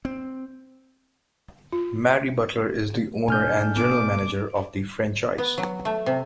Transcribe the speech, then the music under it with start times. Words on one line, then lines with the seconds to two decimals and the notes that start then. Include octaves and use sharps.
Mary Butler is the owner and general manager of the franchise.
0.05 C4
1.72 F4
3.28 B2 A3 D4 G#5 F6 G6
3.76 B2 A#3 B3 D6
5.38 B3
5.58 F#3
5.85 A3
6.06 C3